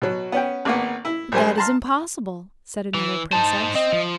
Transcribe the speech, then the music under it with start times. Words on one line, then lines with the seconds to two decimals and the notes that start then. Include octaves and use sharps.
"But that is impossible," said another Princess.
0.02 B2 F#3
0.32 B3 C#4 G5
0.65 G#1 A#3 B3
1.05 E4
1.32 A#1 G3 C5 G#5
1.57 A5 A#5 C6 F6
2.94 E3
3.33 D#4 C5 A5
3.75 C4 D#5
3.92 F3